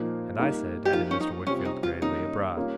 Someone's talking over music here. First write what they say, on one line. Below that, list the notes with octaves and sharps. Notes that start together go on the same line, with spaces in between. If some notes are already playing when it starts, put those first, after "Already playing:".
'And I said' added Mr. Wickfield gravely, 'abroad.
Already playing: A#2 F3 A#3 D#4
G3 A#3 D#4
G4
F3 A#3 D#4 F4
C#4
D#4
C3 G3 C4 C#4 F4
D#4
F4
D#3 G3 A#3 C#4 D#4
G3 A#3 C#4 F4